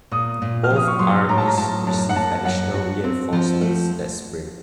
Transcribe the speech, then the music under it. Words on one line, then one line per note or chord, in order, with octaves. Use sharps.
Both armies received additional reinforcements that spring.
A#2 D#6
A#2
F6
F3
D#6
C#6
F#3 C6
A2 A#5
A5
A#5
A2 A5
F#2 A5
F#5
A#3 A5
F#2 F#5
F#4
C4
F3
A3